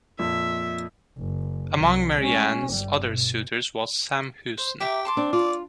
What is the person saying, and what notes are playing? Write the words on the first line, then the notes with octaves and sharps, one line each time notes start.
Among Mary Anna's other suitors was Sam Houston.
F2 A#2 E5
F#1
C2 F#3
G#3 C#4
G1 G3
B2
C5
G4 E5 A#5 D6
A5 C6 D6
C4 D4
F4 D5